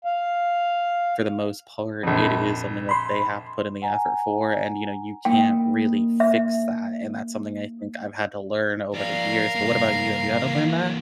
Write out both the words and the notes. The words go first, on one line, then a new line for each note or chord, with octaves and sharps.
for the most part, it is something that they have to put in the effort for, and, you know, you can't really fix that. And that's something I think I've had to learn over the years. But what about you, have you had to learn that?
F5
A#1 F2
B5 C6
F#5 G#5 A#5
A#3 D#4 E4 G5
E5
F3 A#4 D5 F5
G2 A#3
E3 A#3